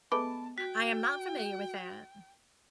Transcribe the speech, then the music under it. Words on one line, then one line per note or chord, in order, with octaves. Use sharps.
I am not familiar with that. Mm.
G#3 A3 B3 B4 A5 D6
F#4 G5 B6